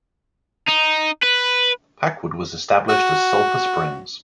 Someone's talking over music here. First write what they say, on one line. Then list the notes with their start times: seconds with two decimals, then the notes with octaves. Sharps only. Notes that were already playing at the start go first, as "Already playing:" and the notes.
Packwood was established as Sulphur Springs.
0.68 D#4
1.23 B4
2.89 F#4